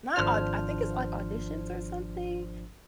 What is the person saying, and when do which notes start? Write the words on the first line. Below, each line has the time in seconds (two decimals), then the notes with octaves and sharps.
not au I think it's, like, auditions or something?
0.16 G#1 F3 D4 C5 F6